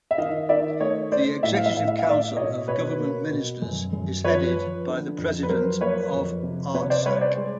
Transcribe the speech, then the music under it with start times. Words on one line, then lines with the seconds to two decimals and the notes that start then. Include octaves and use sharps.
The executive council of government ministers is headed by the President of Artsakh.
0.11 E5
0.18 D#3 D#5 F5
0.49 D#3 D5 E5
0.81 A3 C#5 D#5
1.12 A3 C5 D5
1.43 A2 E5
1.54 F5
1.66 E5
1.74 A2 F5
1.88 E5
1.99 F5
2.05 A2 D5 E5
2.36 B2 C#5 D#5
2.68 B2 B4 C#5
2.99 A#3
3.31 B2
3.62 F#2
3.93 F#2
4.24 F3 B4 C#5
4.56 F3
4.88 D3
5.18 F2
5.43 B4
5.49 F#3 A#4 C5
5.81 A#3 B4 C#5
6.12 F2
6.43 C3
6.75 C3 B4 C#5
6.90 C5 D5
7.06 G3 B4 C#5
7.21 C5 D5
7.37 G#3